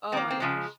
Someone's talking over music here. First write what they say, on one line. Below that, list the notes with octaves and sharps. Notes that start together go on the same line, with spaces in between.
Oh my gosh.
D#3 A#3 C4
C4
C#3 F3 G#3